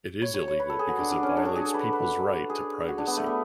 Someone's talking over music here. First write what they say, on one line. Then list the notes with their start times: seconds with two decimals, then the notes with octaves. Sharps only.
It is illegal because it violates peoples' right to privacy.
0.22 C#5
0.34 C#5
0.48 C#5
0.60 B4
0.70 A4
0.79 G#4
0.89 F#4
0.99 D4
1.11 D4
1.23 C#4
1.37 D4
1.45 F#4
1.56 G#4
1.65 A4
1.74 B4
1.93 B4
2.50 G#4
2.88 F#4
2.98 D4
3.07 B3
3.17 A3
3.26 B3